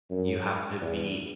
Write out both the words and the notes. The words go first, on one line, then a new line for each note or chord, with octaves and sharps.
you have to be
F#2
E2